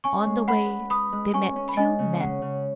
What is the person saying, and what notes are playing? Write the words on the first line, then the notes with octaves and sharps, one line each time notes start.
On the way they met two men.
C#4 G#5 C#6
G#3
B4 F#5 B5
B4
B4 B5 D#6
G#3
C#4 G#5 C#6
C#4
B5
G#3 D#5 G#5
C#3
C#4 F#5
C#3